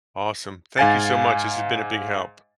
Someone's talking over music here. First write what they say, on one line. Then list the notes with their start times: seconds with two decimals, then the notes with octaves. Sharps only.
Awesome. Thank you so much, this has been a big help.
0.78 G#2 F5 G#5 A6